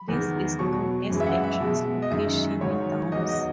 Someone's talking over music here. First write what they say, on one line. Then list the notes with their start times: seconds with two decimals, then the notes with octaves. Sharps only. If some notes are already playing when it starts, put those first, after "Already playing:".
This is known as a 'translocation Downs'.
Already playing: B5
0.08 E2 D#3 G#3
0.59 B2 F#3 C#6
1.10 F#2 E3 G#3
1.20 E5
1.26 F#5
1.44 E5
1.60 B2 G#3
2.02 D#5
2.10 F#2 D#3 G#3 E5
2.61 G#2 D#3 F#3 C#5
3.12 E2 D#3 F#3 D#5
3.29 D#5